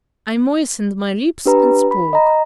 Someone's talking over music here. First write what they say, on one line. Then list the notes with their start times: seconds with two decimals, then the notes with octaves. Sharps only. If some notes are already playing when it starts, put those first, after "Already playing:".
I moistened my lips and spoke.
1.46 D4 G4 B4 A#5
1.91 B5
2.13 D#5 A#5